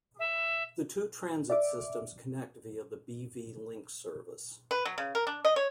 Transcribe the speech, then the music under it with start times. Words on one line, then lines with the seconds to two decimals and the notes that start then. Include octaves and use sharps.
The two transit systems connect via the B-V Link service.
0.19 E5
1.50 D5 E5 D6
4.71 B4
4.85 F#3
4.98 C#3
5.15 A#4
5.27 D4
5.45 D#5
5.56 C#5